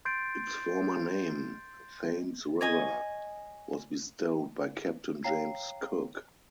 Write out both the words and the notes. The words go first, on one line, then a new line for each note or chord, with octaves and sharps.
Its former name, Thames River, was bestowed by Captain James Cook.
C6 G6 A6 C7 D7
C#5 D#5 G#5
C#5 F5 G5 A#5 C7